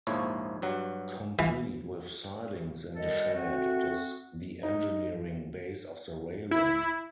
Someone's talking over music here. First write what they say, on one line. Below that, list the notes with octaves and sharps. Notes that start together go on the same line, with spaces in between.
Complete with sidings and a shed, it is the engineering base of the railway.
A#1 D#2 G#2 F3 E4 C#5
G2 F#3 F#5
E3
F#2 D#3 G3 A4 D#5
A3 C4 F#4
D#4
E4